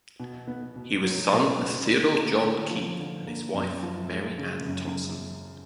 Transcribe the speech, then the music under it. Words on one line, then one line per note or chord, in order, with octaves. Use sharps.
He was son of Theodore John Keep and his wife Mary Ann Thompson.
B2
B3
B2
F#3
B2
B3
D3
A#3
D3
F3
D3
A#3
F#2
F3
G#3
C#3
F#2